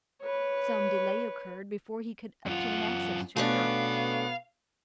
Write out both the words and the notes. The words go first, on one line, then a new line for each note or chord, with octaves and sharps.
Some delay occurred before he could obtain access to the earl.
B4 C#5
F#2 F4 F#5
B2 A3 B3 C#4 D4 F5